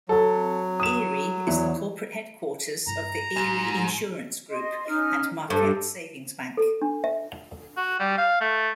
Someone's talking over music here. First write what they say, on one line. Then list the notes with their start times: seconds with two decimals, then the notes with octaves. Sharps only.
Erie is the corporate headquarters of the Erie Insurance Group, and Marquette Savings Bank.
0.09 F#3 A4
0.80 D#6 E7
1.47 E2 E3
2.87 G2 E4 A#5
3.36 A1 G#2
4.50 D#5 C6
4.87 C#4 D#4 F6
5.50 G2 A4
6.57 A4
6.82 D4
7.04 E5
7.77 F#4
8.00 G3
8.18 F5
8.41 A3